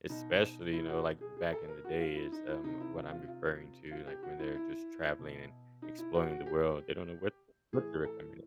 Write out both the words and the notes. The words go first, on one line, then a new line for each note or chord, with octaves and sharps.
especially, you know, like, back in the day is, um, what I'm referring to, like, when they're just traveling and exploring the world, they don't know what what they were coming up
B2 D#4
E4
F#4
G#4
G#4
A4
A#4
F#4
F4
E4
D#4
E4
C3 D#3 D#4
E4
F4
F4
F4
F4
G4
F#4
E4
E4
B2
D#4
E4
F#4
F#4
G4
A2 E3 G#4
A4